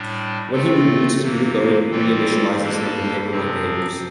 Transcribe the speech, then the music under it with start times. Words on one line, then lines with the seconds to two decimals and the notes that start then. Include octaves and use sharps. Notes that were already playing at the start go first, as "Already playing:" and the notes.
When he reboots, his boot loader reinitializes him with penguin-like behaviors.
Already playing: A2 G3 D4
0.53 A3 C4 F4 A4
1.21 C3 E3 A#3
1.91 E3 G3 C4 F4 A4
2.61 G3 A#3 D4 A4
3.31 C3 F3 C4